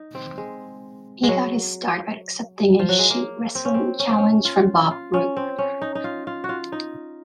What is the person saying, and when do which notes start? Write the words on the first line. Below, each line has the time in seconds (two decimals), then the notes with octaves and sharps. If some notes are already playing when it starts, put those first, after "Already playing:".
He got his start by accepting a "shoot" wrestling challenge from Bob Roop.
Already playing: D#4
0.15 C4
0.38 G#3
1.23 G#3
1.29 F#3
2.79 F3
2.89 F#3
2.99 G#3
3.10 A#3
3.55 C4
3.65 C#4
3.74 C4
4.00 C#4
4.09 C4
4.18 C#4
4.45 F4
4.91 F4
5.14 C#4
5.37 C4
5.58 C#4
5.81 D#4
5.95 D#4
6.04 F4
6.27 F4
6.44 F#4
6.49 F4
6.72 D#4